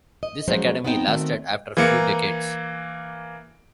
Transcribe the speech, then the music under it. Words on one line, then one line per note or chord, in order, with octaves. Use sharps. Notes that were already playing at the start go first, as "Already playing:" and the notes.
This academy lasted after few decades.
D#5
F3 F#3 G#3 C#4 F#4 C5
B3 C4 D#4 D#5 F5 G5
D#3 A3 C4 F#4
E3 A#3 C#7